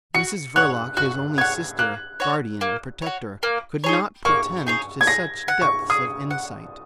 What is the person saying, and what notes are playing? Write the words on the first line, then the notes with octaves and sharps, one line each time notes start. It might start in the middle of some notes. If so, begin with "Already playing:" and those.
Mrs Verloc, his only sister, guardian, and protector, could not pretend to such depths of insight.
F#4 C#7
C#5 F#5 F#6
F#4 F#6
C#5 F#5 G#6
A#3 F#6
F#4 C#5
A#3
F#4 C#5
A#3
D#4 G#4 C#5
A#3 C#6
D#4 G#4 C#5
G#6
G#4 A#6
F#5
C#6
G#4 D#6
F#5